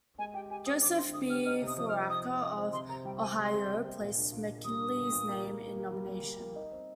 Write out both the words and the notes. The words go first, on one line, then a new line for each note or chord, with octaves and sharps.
Joseph B. Foraker of Ohio placed McKinley's name in nomination.
G#3 G#5
G4 G5
G4 G#5
C4 D#6
D3 D6
D3 C6
D3 D#6
G4 F6
D#4 F6
C3
D#6
F3 D#6
F6
D#4
D#4 D#6
C4
D#4 D#6
C4
C3 C6
C3 A#5
G3 G5
C3 G#5
C3 C6
C3
C3
C3
A#2
D4
A#2
A#2
G3 D#6
D4
A#2
A#2
A#3
G3
A#3
A#3
G3
A#3
G3
A#3
D#4
C4